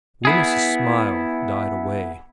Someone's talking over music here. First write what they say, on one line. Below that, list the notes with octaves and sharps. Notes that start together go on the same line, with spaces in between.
Wemyss's smile died away.
B3 E4 G#4